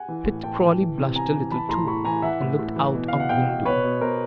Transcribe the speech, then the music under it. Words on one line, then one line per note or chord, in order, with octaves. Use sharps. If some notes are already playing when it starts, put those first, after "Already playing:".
Pitt Crawley blushed a little too, and looked out of window.
Already playing: F#5 G#5
E3
A2
A2 G5 A5
E3
E3
C3
C3 G#5 A#5
E3
E3 A5 B5
A2 A#5 C6
A2 B5 C#6
E3 G#5 A#5
E3 E5 F#5
A2
A2
E3
B2
B2 F5
F#5
B2 F5 G5
B2
B2 B4 C#5
B2
B2 A#4 C5